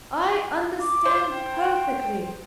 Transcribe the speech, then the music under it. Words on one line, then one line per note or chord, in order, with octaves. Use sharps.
I understand perfectly.
D6
C5
G5